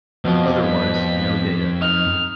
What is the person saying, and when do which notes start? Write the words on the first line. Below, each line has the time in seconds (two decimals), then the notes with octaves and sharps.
Otherwise, no data.
0.25 F2 B2 F3
0.65 B6
1.82 D#4 F6